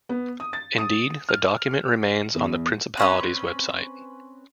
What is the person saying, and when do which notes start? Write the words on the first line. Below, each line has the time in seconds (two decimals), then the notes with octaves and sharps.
Indeed, the document remains on the Principality's website.
0.09 B3
0.40 D#6
0.53 A6
0.78 D#6
1.29 F6
2.35 E2
2.97 C4 C#4 B4